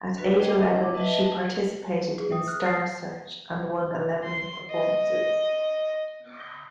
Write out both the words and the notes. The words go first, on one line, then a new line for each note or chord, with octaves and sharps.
At age eleven she participated in "Star Search" and won eleven performances.
D4 F#4 B4
G#4 C5 D#5 G5 A5 D6
D#5 F#5
E4 D6
B4 D#5 E5 A5
G#4
E5 G5 D#6
D#6 F6 F#6
D#6 A6 A#6 C7
C6
D#5